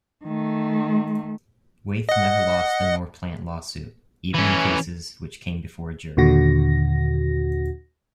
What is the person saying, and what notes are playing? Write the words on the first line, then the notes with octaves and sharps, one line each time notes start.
Wyeth never lost a Norplant lawsuit, even in cases which came before a jury.
D#3 A3
D#5 F#5
E3 C#4
D#2 A#2 D3 F#4 A#6